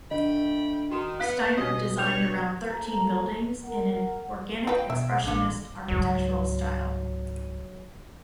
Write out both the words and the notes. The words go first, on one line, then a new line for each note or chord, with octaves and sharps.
Steiner designed around thirteen buildings in an organic-expressionist architectural style.
D3 A3 D#5 G5 B5
D#3 F#4 C6 E7
B3 F5 F#6 B6
B2 G3 D#5
G2 C#5 G5 G6 F7
A#3 C4 A4 A#4 A#5
A#4 F#5
F4 B4 D#5 G5
B2 E5
A1 D3 A#3 C#4
C#2 G#2 F#3